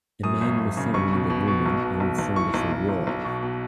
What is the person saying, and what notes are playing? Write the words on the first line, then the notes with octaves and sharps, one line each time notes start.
A man on a phone and a woman are in front of a wall.
F#2 D#6
G#1
G#1
C#3
B1 C#6
B2
B2
B2
B1
B2
B1
B1
E3 C#6
B1
B1
B1
B1
B2
B2